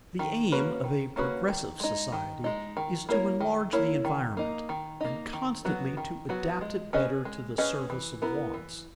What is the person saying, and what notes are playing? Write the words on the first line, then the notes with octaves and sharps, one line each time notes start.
The aim of a progressive society is to enlarge the environment, and constantly to adapt it better to the service of wants.
D#3
A#3 C#4 F#4 B4
D#3
A#3 C#4 F#4 B4
D#3
G#3 D#4
D#3
G#3 D#4
D#3
A#3 E4 A#4 C#5
D#3
A#3 E4 A#4 C#5
D#3
A#3 D#4
D#3
A#3 D#4
D#3
F#3 B3 F#4
D#3
F#3 B3 F#4
G#3
C#4 G#4 B4 D#5
G#3
C#4 G#4 B4 D#5
E3
B3 E4 A#4
E3